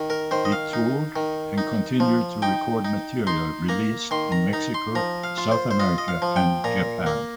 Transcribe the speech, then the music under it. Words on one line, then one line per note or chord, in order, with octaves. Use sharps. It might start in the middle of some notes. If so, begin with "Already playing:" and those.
He toured and continued to record material released in Mexico, South America, and Japan.
Already playing: D#3
A#4
D#3 C5
D#5
F5
D#4
D#3
D#4
F3
D#4 G5
D#4
D#4 C6
A#3 A#5
D#3 C6
A#5
D#4 A#5
C6
F3 A#5
F5
F4
C5
C5
F4 D#5
D#5
F5
F3
G5
A#2 A#5
A#3